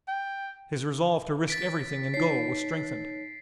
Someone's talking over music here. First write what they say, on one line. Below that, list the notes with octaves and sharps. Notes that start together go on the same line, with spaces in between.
His resolve to risk everything and go was strengthened.
G5
A6 B6 D7
D#4 C#5 C7